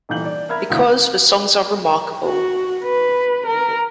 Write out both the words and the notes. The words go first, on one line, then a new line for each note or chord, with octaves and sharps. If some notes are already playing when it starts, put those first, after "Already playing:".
Because the songs are remarkable.
D#1 E3 D#4 G6 F#7
D5
A#4 E5 B5 F6 G#6
E1 D2 E4 F5
F#4
B4
A#4